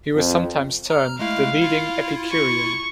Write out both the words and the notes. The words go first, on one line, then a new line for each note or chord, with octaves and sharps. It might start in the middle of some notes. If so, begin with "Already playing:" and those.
He was sometimes termed the leading Epicurean.
F2
A#5 F6
G#3 A3 E4 F5
E4 F4
C#6